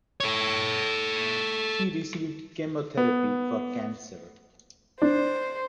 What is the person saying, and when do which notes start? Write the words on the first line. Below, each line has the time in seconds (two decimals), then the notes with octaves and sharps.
She received chemotherapy for cancer.
0.20 A4 C#5
2.97 B3
5.02 D4 C5